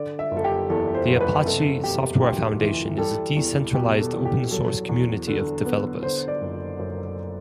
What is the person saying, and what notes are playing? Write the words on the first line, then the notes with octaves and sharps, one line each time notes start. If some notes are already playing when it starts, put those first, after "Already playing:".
The Apache Software Foundation is a decentralized open source community of developers.
Already playing: D3 D5
E5
F#1
A4
G4
E2 A4
C5
F#1
B4
C3 A4
E1 G4
D2 G4
E3
G3 A4
E2
B2 G4
A4
E2
G4
F#3 A4
E2
D3
B3
D3 C5
D5
F#1
F#2